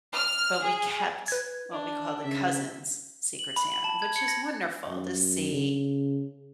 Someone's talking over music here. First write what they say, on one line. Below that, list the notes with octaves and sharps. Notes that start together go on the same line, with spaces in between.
But we kept what we call the cousins' Secret Santa, which is wonderful to see
F6
G#4
B4 G#6
D4
C#3 E5
F#7
B5
F#7
A5
G#6
C#7
A#6
F#2
C#3